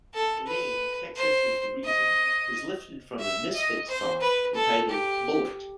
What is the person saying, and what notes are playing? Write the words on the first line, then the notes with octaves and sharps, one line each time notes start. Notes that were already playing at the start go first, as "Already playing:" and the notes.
The name "Texas Is the Reason" is lifted from a Misfits song, entitled "Bullet".
A4
B4
C5
D#5
E5
D#5
C5
B4
A4
G4